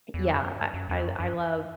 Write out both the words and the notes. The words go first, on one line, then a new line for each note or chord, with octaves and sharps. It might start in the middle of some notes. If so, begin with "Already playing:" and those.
yeah, I I I love
E2
F#2
G2
F#2
E2
F#2
F#2